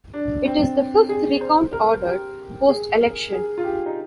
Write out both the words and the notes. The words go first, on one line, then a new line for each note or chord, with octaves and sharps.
It is the fifth recount ordered, post-election.
D4
C4
G#4
C5
A#4
G4
G#4
A#4
G#4
F4
G4
D#4